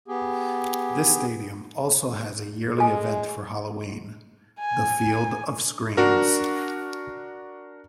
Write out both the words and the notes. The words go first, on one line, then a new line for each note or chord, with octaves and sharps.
This stadium also has a yearly event for Halloween, the "Field of Screams".
B3 G4 G#4
G#3 A4 G#5
G#5
D4 F#4 A#4